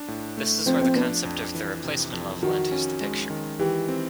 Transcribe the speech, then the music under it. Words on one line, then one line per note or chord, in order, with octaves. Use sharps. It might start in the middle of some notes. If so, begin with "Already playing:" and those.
This is where the concept of the replacement level enters the picture.
Already playing: D4
A2
A3
F3 C4
C4
B3 D4
F2
E3
C3
F2
D#3 F#4
C#4
G#3
D#3
E3 G4
C4